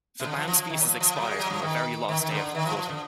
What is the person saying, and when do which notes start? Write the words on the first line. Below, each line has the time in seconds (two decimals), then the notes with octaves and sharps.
The band's visas expired on the very last day of recording.
0.20 B2
0.25 D3
0.36 F3
0.48 F3
0.58 F3
0.70 D#3
0.80 F#3
0.85 F3
1.00 F3
1.16 F#3
1.27 G#3
1.39 F#3
1.50 F3
1.62 D#3
2.08 D#3
2.20 D#3
2.31 D3
2.55 D#3
2.66 F3
2.77 F3
2.89 D3